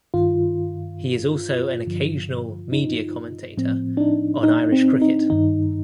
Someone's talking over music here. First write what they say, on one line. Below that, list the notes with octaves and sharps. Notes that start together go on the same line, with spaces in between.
He is also an occasional media commentator on Irish cricket.
G2 D#3 F4
G2 D3 F3
D#4
A2 F3 C4
D4
D#4
D#4
C4
D#4
G2 D#3 D#4